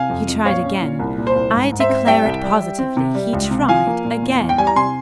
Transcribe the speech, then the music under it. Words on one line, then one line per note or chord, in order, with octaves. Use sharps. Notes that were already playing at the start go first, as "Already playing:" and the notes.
He tried again--I declare it positively, he tried again.
Already playing: C3 F5 G#5
F2
F2
A#2 C#5 F5
C#4
A#2
C2
A#2
C5
C2
G#2
G#2
C5 E5
C4
G3 E5 G5
C2
G3
G3
C4
C3
G3
C#2
C3
F3 F5 G#5
A#3
A#2
E2
E2
G5
G3 G#5
A#5
C3 G#5 C6